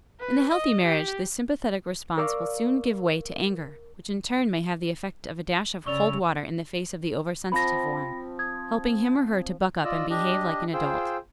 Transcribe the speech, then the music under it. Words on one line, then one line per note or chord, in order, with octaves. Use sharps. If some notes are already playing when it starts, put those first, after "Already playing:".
In the healthy marriage, this sympathetic response will soon give way to anger, which in turn may have the effect of a dash of cold water in the face of the oversensitive one, helping him or her to buck up and behave like an adult.
B4
D#5
G4
A#4 D5 F5 C#6 D6 E6
C#3 D5 C#6 E6 F7
F3 C4 B5 A#6
D#6 G#6
F4 D5 D#5 E6
D4 G4 D#5
F4 G#4 C5 G5 E6